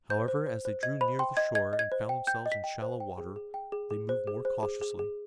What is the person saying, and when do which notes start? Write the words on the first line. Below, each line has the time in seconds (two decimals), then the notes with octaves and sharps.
However, as they drew near the shore and found themselves in shallow water they moved more cautiously.
0.10 C5 G6
0.28 C5
0.47 C5
0.65 C5
0.83 D#5 G#6
1.01 C5 B5
1.19 G5 C6
1.37 D#5 G#6
1.55 D#5 G#6
1.73 D#5
1.79 G#6
1.92 C5
2.09 G5
2.27 G5 G6
2.46 D#5
2.52 B6
2.64 G5
2.82 C5
3.00 G5
3.18 G#4
3.36 G#4
3.54 G5
3.72 G#4
3.91 G#4
4.09 C5
4.27 G#4
4.45 C5
4.63 G#4
4.81 G#4
4.99 G#4